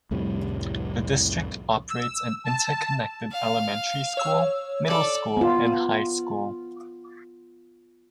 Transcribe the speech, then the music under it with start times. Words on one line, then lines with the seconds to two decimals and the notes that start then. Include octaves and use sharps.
The district operates an interconnected elementary school, middle school, and high school.
0.11 C2 F2 A2 G3
1.91 E6
2.45 A5
3.32 F5
4.17 C#5 E6
4.87 A4 D5
5.37 B3 F4